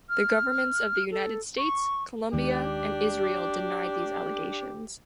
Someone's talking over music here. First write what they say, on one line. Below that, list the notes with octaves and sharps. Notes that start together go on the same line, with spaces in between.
The governments of the United States, Colombia, and Israel denied these allegations.
F6
A4
C#6
D#2 D#3 G#3 D4 G4